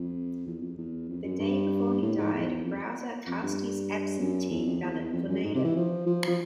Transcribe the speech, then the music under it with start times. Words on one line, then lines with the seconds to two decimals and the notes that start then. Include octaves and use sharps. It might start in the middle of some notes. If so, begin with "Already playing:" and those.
The day before he died, Brower cast his absentee ballot for Nader.
Already playing: F2
0.47 E2
0.61 F2
0.78 E2
1.09 F2
1.24 F#2
1.39 G2
2.02 A2
2.17 G#2
2.34 E2
2.64 F2
3.27 F2
3.43 G2
4.19 F#2
4.51 E2
4.66 F2
4.82 E2
4.98 E2
5.13 F2
5.29 F#2
5.44 G#2
5.55 C3
5.65 E3
5.76 F3
6.07 F3
6.27 F3